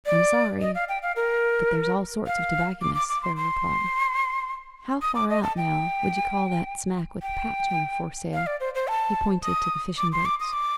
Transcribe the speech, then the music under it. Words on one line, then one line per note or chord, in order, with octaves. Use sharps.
'I'm sorry; but there's all sorts of tobacconists,' Pharaoh replied. 'How far out, now, would you call that smack with the patch on her foresail?' He pointed to the fishing-boats.
D5
D#5
F5
G5
F5
A#4
F5
D6
D6
D6
C6
C6
D#6
D6
D#5
A5
G5
G5
F5
D5
C5
C5
A5
D#6
D6
C6
D6
D#6
D6